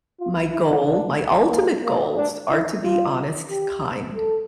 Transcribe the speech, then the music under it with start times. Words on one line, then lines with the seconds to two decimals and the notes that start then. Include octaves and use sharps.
my goal my ultimate goals are to be honest, kind,
0.19 F4
0.52 E4
0.85 D4
1.51 A#3
1.84 A#3
2.17 D4
2.50 E4
2.83 F4
3.49 G4
4.15 A4